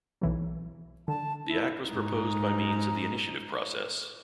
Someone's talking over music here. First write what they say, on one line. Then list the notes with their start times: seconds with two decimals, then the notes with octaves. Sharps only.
The Act was proposed by means of the initiative process.
0.21 B1 E3 F#3
1.08 D3 A5
1.47 E4
1.88 G#2 D#4